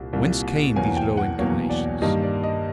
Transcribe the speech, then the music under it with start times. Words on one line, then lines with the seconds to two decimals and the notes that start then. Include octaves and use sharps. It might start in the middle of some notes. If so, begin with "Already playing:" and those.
Whence came these low inclinations?
Already playing: C2 A#2 G3 A#3
0.13 C2 A#2 G3 A#3
0.76 E2 B2 F#3 A#3 G#5
0.97 G5
1.17 F#5
1.39 E2 B2 F#3 A#3 C#5
1.70 D5
2.02 G2 D#3 G3 A#3 D#5
2.23 D5
2.44 D#5